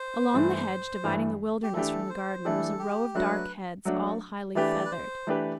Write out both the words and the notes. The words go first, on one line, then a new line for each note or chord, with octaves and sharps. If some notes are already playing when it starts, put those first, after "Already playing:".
Along the hedge dividing the wilderness from the garden was a row of dark heads, all highly feathered.
Already playing: C5
G2 E3 A3
G2 E3 A3
G4
E3 A3 D4 G4 A4
C5
E3 A3 D4 G4 A4
G4
F#3 A3 D4 F#4 B4
F#3 A3 D4 F#4
E3 A3 D4 G4 B4 D5
B4
C5
E3 A3 D4 G4 B4